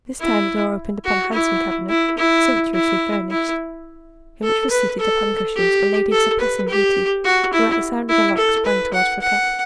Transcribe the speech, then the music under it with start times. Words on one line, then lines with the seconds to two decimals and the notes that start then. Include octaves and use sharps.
This time the door opened upon a handsome cabinet, sumptuously furnished, in which was seated upon cushions a lady of surpassing beauty, who at the sound of the lock sprang towards Fouquet.
0.20 E4
1.05 F#4
1.33 E4
1.89 E4
2.18 E4
2.74 E4
3.30 E4
4.43 A4
4.70 B4
4.99 A4
5.56 G4
6.11 A4
6.40 B4
6.68 G4
7.25 F#4
7.53 E4
8.09 E4
8.37 A4
8.65 B4
8.93 F#5
9.21 F#5